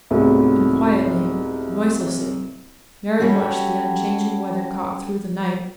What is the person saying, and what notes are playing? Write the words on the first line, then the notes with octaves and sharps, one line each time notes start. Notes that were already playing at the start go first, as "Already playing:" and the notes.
And quietly, noiselessly, Mary watched the unchanging weather-cock through the night.
C2 G#2 F#3 A3 B3
G3 C#4 F#4 G4 A4